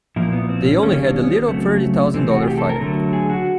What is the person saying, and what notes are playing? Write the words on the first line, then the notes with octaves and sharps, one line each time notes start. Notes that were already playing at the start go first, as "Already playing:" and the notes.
They only had a little thirty thousand dollar fire.
A#2 F3 A#3 E4
B3
C4
C#4
D#3 G3 A#3 C#4
D4
C#4
B3
C4
C#3 F#3 A3
C3 E3 A3 C4
F#4
G#4
G4
A4
A#4
D3 F#3 A3
G#4
F#4